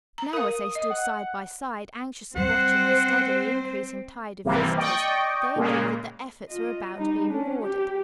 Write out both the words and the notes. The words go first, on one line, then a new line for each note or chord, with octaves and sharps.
Now, as they stood side by side anxiously watching the steadily increasing tide of visitors, they agreed that their efforts were about to be rewarded.
A#5
A#4 F5 D#6
D#5
F#5
F#3 G3 C4 C5 F#5
G#1 C3 E3 G3 A#3
D5 D#5 G5 C#6
A#2 C#3 G#3 A#3
F4 D#5
G3 D#4
C#4 D4
G4